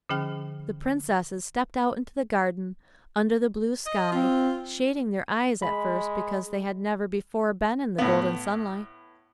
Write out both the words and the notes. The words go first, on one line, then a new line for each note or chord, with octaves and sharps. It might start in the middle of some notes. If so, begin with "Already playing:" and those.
The princesses stepped out into the garden, under the blue sky, shading their eyes at first because they had never before been in the golden sunlight.
D3 F3 C#4 G#4 G5 F6
D#5
C4 F4
G#3 B5
A2 B3